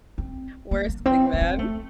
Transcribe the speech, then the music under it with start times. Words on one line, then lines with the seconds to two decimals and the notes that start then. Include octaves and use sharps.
worst wingman,
0.18 C4
0.71 A#3
0.89 A#3
1.05 C4
1.33 A#3
1.41 C4
1.59 A3